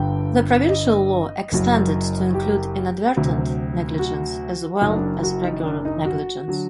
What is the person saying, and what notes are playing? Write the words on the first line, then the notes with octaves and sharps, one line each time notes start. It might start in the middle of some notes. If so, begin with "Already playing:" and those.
The provincial law extended to include "inadvertent negligence" as well as regular negligence.
Already playing: G1 G2 D3 G5
D#5
F#1 F#2 F#3
G4
D2 C3 F#3
F#4
F#1 F#2 F#3 D#4
D4
F#4
D#4
D4
D#4
F#4
D3 F#3